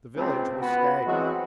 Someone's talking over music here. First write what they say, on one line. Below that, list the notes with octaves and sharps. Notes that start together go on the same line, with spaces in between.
The village was staggered.
C#2 C4
B3 F#4 B4
E3 F#3 G#3 C4 F#4